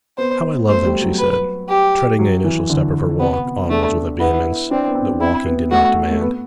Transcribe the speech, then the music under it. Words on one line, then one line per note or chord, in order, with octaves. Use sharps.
'How I love them!' she said, treading the initial step of her walk onwards with a vehemence that walking did not demand.
B3 C5
A3 C5
G3
F#3
B4
G4
F#3
E3
D3
C3 B3
B3
A3 D4
B3 E4
C4 D4
B3
C4
C4 E4
B3
A3 F#4
A3
B3